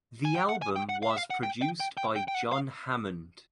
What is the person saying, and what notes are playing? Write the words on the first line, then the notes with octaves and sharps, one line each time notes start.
The album was produced by John Hammond.
G#5
G5
F#5
G#5
G5
F#5
F5
E5
F5
F#5
G5
G5
G5
G5
G5
G5
F#5
F5